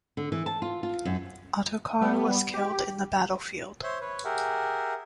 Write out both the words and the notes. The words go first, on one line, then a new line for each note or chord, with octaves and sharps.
Ottokar was killed in the battlefield.
D3
E3
A5
F4
F4
F#2
G3 B3
G4
C5 C#5 E5 C6
B4 C#5
G4 G#4 A#4 E5 F#5